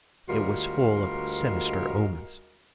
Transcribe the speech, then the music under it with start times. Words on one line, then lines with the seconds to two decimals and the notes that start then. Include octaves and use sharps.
It was full of sinister omens.
0.29 D2 G3 G#3 F4 F#4 A#4